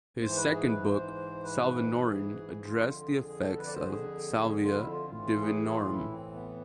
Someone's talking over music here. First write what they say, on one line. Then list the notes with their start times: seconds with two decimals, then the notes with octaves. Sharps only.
His second book, "Salvinorin," addressed the effects of "Salvia divinorum".
0.22 G#2 E3 C5
0.37 B4
0.52 G#4
0.68 B4
0.83 C5
1.44 B4
2.05 G#4
2.66 F2 D3 F4
2.86 F4
3.00 F4
3.06 G#4
3.28 G#4
3.43 A4
3.58 B4
3.66 D5
3.73 C5
3.88 G#4
4.49 G#4
4.63 F4
4.77 E4
4.91 F4
5.10 A2 E3 F4
5.41 G#4
5.71 F4
5.92 E4
6.11 C4
6.33 B3